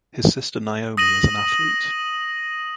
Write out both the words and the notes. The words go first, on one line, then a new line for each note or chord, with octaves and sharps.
His sister Naomi is an athlete.
D#6 A#6 D#7 F#7